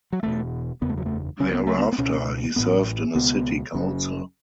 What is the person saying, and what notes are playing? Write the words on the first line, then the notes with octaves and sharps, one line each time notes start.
Thereafter, he served in a city council.
F#3
E1 E2 B2 A3
F#1 E2 C#3 B3
A3
F#3
A3
C#2 C#3 C#4
B3
A3
B3
B3
C#2 B2 C#4
A1 A2 B3
C#2 B2 B3
F#1 F#2 C#3